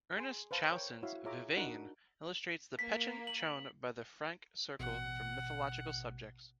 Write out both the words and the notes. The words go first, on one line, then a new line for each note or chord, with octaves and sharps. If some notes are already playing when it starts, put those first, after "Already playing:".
Ernest Chausson's "Vivane" illustrates the penchant shown by the Franck circle for mythological subjects.
G#4 G#5 C6
B4 C5 F5 A5
A#4 C#5 G5 C#6
E4 F#4 C#5 E5 F5
F4 G#4 C#5 E5 A#5 D6
D4 D#4 F#4 A#4 F#5
A#3 B6
F#7
A1 B2 F#5